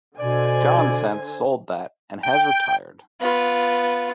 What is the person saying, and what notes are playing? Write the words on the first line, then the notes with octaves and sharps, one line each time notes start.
John since sold that and has retired.
B2 D3 C5 D5 G#5
G5
B3 F4